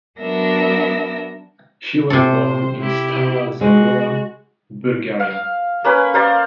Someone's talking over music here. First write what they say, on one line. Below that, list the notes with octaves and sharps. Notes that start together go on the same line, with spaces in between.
She was born in Stara Zagora, Bulgaria.
F#3 B3 D4 A#4 E5 A#6
C3 A4 C5
E4 G4
G#3 F#4
F5
A#3 C#4 B4
A#4 C5 D5 F5